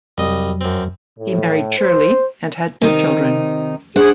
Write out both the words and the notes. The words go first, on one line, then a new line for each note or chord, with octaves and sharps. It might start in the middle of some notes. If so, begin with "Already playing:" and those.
He married Shirley and had two children.
C2 F2 F#3 D#5
F#2 C4
A2
C5
C3 D#3 D#4
D4 G#4 C5 F#5